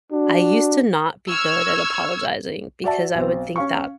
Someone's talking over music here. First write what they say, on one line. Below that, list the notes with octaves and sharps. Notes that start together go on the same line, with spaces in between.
I used to not be good at apologizing because I would think that
D4 F#4
C#6 E6 F6 G#6
F#4 D5 E5 A5
B1 C4
C#4 F5 C#6